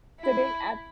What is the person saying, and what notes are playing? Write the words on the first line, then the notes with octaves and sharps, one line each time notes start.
sitting at
E4